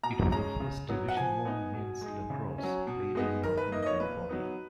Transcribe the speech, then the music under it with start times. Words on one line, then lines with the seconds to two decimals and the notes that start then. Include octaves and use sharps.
It was the first Division One men's lacrosse played in Northern California.
0.03 B2 A#5
0.32 G#3 C#4 A#5
0.60 C#3
0.89 F#3 B3
1.08 F#5
1.17 F3 G#5
1.45 B3 D#4
1.74 B2
2.01 G#3 D#4
2.30 C#3
2.58 F#3 C#4
2.87 B2
3.15 G#3 B3 D#4
3.43 D#3 A#4
3.57 B4
3.72 A#3 D#4 D#5
3.82 D#5
3.86 C#5
4.00 A#2 B4
4.29 F#3 B3 D#4